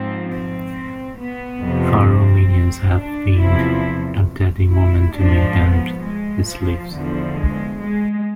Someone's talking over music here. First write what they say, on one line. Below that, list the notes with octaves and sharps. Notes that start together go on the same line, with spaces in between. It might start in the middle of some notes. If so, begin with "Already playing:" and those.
Pharoh's minions have been abducting women to make them his slaves.
Already playing: G#2 F3 C4
C4
B3
F2 C3 F3
C4
D4
E2 C3 F3 E4
E4
G#2 F3 D4
B3
G#3
F3
E2 D3 F3
G#3
G#3